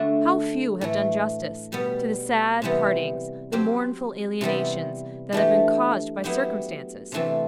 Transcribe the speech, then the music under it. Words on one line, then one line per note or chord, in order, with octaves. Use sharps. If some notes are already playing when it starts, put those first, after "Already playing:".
How few have done justice to the sad partings, the mournful alienations that have been caused by circumstances!
Already playing: D3 A3 D4 F#4
A2 E3 A3
B2 G3 B3
C3 E3 G3 B3
F#3 C4 G4
C3 E3 G3 B3
E3 A3 D4 G4
F#3 B3 E4 G4
C3 E3 A3 C4